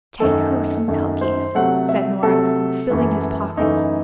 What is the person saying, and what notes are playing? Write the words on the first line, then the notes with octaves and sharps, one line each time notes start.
"Take her some cookies," said Nora, filling his pockets.
F#2 D#3 A3 A4
F#2 D#3 A3
C5
C3 F#3 A3 F#5
E5
C3 F#3 A3 A4
F#2 E3 A3
F#2 E3 A3 D#4